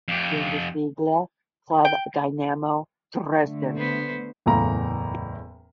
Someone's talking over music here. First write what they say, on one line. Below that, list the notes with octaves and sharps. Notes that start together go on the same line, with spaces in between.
Bundesliga club Dynamo Dresden.
F2 G4
G5
D3 A3
B3 C5
F#1 E2 A2 F5 A#5